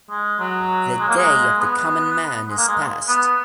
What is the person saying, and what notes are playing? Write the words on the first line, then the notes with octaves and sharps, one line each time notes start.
The day of the common man is past.
G#3
F#3
G#3
A#3
G#3
B3
G#3
A#3
G#3
B3